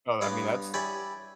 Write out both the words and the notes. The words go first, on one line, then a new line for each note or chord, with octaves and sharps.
Oh, I mean, that's
G2 B3 C#5 F5 D6 D#6
E4 G4 C#5 D5 G#5 B5